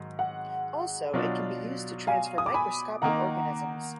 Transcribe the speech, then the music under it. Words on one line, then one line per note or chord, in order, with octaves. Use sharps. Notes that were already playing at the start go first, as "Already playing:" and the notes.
Also it can be used to transfer microscopic organisms.
Already playing: G#2 D#3 F#3
F#5
B2 F#3 D4 F4
F5 G#5
D#6
D6
G#5 B5
D#3 A#3 D#4 F#5 A#5